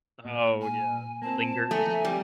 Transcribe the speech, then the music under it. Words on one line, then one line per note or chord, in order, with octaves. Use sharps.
Oh, yeah. It lingers?
A#2
G#5
A#3 C4 A5
F3 A3 C#5 G#5 A#5
G3 C4